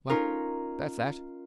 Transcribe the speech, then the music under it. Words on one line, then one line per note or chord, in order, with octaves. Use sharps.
Well, that's that.
C#4 D#4 F4 A#4